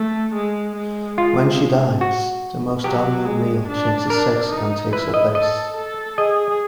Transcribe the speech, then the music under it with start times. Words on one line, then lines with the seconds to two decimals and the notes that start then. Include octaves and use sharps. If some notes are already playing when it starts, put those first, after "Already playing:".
When she dies, the most dominant male changes sex and takes her place.
Already playing: A3
0.35 G#3
0.75 G#3
1.18 F4
2.01 F#4
2.84 F#3 G4
3.25 G#3
3.68 D4
4.10 D4 A#4
4.51 D#4
4.93 E4 B4
5.14 D#5
5.34 A4 D#5
5.77 A4
6.18 G#4 D#5